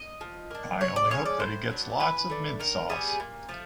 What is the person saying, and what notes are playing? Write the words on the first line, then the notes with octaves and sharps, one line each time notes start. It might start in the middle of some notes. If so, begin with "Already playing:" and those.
I only hope that he gets lots of mint sauce.
Already playing: D#5
F3
A#3 D4
C3 C#5
D5
F3 G#3 C#4 C#5
D5
A2 C5
F#3 B3 D4
E3 B4
A3 D4
D#3 A#4
G3 B3 G#4
A#2
F3 A3